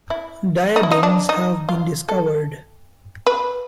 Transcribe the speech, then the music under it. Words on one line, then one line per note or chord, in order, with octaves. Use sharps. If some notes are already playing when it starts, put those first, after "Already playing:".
Diadems have been discovered.
E4
D#4
E4
D#4
D4
D#4
F4
A4
B4